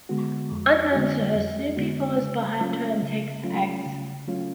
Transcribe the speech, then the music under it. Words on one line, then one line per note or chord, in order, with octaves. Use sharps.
Unknown to her, Snoopy follows behind her and takes the eggs.
D3 G#3 B3 F#4
F2
D3 G#3 B3 F#4
F2
D3 G#3 B3 F#4
C#3
F#3 A3 C#4 F4
C#3
F#3 A3 C#4 F4
C#3
F#3 A3 C#4 F4